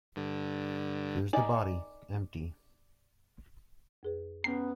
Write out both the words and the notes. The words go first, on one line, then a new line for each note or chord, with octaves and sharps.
Here’s the body, empty.
G2 D3
D#4 D5 G#5
F2 G#4 B4
B3 C#4 G5 A#5 C7